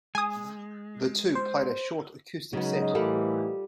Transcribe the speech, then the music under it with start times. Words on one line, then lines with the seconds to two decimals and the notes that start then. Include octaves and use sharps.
The two played a short acoustic set.
0.15 G#3 G#5 D#6
1.35 C5
2.53 C#3 F#3 G#3 B3 D#4
2.95 A2 E3 G3 F4 A4